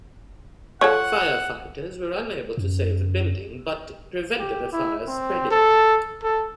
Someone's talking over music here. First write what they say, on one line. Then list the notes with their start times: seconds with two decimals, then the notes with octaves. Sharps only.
Firefighters were unable to save the building, but prevented the fire spreading.
0.81 F3 A4 C#5 F#5 C#6
2.58 F#2
4.39 G4
4.72 E4
5.07 C4
5.51 A4
6.23 A4